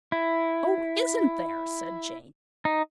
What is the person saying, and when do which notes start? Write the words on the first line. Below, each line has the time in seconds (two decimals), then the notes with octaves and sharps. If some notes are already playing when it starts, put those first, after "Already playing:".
'Oh, isn't there!' said Jane.
0.12 E4
2.65 D#4